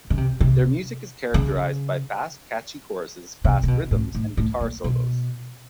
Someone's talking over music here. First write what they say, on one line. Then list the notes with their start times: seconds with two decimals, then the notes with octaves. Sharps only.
Their music is characterized by fast, catchy choruses, fast rhythms, and guitar solos.
0.10 C#3
0.17 C3
0.41 C3
1.34 C#3
3.44 C3
3.63 C3
3.68 B2
3.91 A2
4.15 A2
4.37 A2
4.61 A#2
4.84 B2